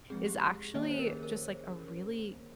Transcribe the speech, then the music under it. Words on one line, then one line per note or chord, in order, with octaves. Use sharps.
is actually just, like, a really,
F3 G#3 C4 G#4
G4
D#3 A#3 C#4 D#5
C#5
C5
A#4
G#4
A#4